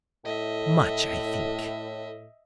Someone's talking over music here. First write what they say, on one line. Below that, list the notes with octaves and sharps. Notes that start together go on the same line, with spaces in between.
Much, I think.
A2 D#5 E5